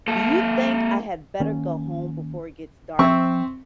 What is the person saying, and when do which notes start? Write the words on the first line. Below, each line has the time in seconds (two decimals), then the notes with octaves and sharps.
Do you think I had better go home before it gets dark?
0.08 A#3 A4
1.40 D#3 A#3 C#4
2.99 F3 C4 E5 C#6